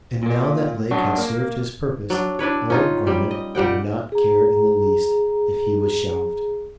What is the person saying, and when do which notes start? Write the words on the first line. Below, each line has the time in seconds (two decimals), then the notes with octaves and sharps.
And now that Lake had served his purpose old Grammont did not care in the least if he was shelved.
0.23 A#2 A#3
0.91 F#3 D4 F#4
1.18 A#3
2.10 F#3 D4
2.39 D4 E4 B4 C#5
2.70 C#4 D#4 F4
3.07 G3
3.31 D#5
3.55 A#2 G3 F#5 G5
4.12 G#4 A#5